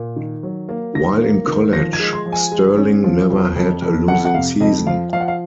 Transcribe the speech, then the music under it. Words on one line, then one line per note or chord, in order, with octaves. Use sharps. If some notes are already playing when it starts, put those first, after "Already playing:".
While in college Stirling never had a losing season.
Already playing: A#2
D#3
F#3
A#3
D#3 A#6
A#3
D#3
F3 A#6
G#6
G#3
C6
F3
G#5
G#3
C#4
F3
F2
F2
F2
F2 F#5
F#5
C3 F5
F2 D#5
F3 F5
F3 F5
F#5
F5